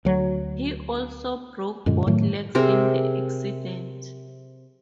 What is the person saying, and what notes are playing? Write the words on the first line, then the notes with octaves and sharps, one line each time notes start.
He also broke both legs in the accident.
D2 F#3
F#2 A#2 D3 G#3
A2 D#3 F#3 A3
C3 C4 G#4 A#4